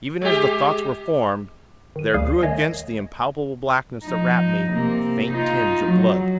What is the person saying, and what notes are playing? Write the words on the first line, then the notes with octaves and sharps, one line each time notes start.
Even as the thoughts were formed, there grew against the impalpable blackness that wrapped me a faint tinge of blood.
G#3 G4
D#3 D#7
D2 G3 G#4 F5 C7
D#3 A3 C#5 D#5 G#5
F3 D#4
C3 A#3
D#4 F4
F#3